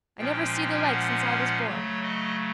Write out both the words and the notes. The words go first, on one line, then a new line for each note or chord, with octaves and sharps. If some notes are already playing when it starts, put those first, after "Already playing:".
I never see the like since I was born.
A#2 F3 G#3 C#4 G5
G5
F#5
C#3 F#3 A3 C#5
D#5